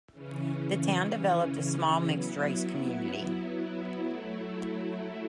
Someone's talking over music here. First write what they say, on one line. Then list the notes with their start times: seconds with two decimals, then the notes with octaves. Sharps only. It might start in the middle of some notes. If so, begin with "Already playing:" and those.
The town developed a small mixed-race community.
0.12 C#3 E3 C#4
2.09 F#3 B3 E4
4.07 F#3 A3 E4